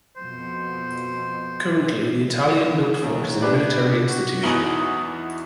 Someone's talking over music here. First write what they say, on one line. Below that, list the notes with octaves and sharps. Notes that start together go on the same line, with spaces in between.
Currently the Italian-built fort is a military institution.
F2 B2 C5
D#2
D4 G4 B4 D5
F#4
E2 B3 D#4 F#4 G#5 D#6